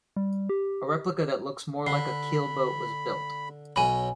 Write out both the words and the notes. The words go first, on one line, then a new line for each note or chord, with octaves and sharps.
A replica that looks more like a keel boat was built.
G3
G4
D3 B5 C7
B1 C#4 G#5 A#5 B5